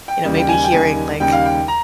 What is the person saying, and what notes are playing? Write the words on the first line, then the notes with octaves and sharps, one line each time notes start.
you know, maybe hearing like
G5
D#2 C#3 G3
G5
G#5
G5
D#2 C#3 G3 G#5
D#2 C#3 G3 G5
F5
G5
A#5